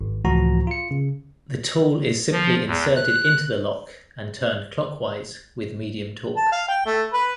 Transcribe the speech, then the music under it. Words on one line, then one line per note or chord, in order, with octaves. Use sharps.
The tool is simply inserted into the lock and turned clockwise with medium torque.
G#1
C#2 A2 E3 F3 F#4 A#5
F4 C#7
C#3
F3
E2
F#6
A5
F5
G5
A3
B4